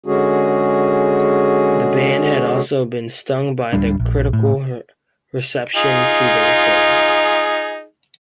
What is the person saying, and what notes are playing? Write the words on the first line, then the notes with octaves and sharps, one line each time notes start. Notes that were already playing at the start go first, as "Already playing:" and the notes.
The band had also been stung by the critical reception to the record.
D3 G#3 C#4 F#4 G#4
D1 G3 D4
A#1
A2
D#4 F4 G#4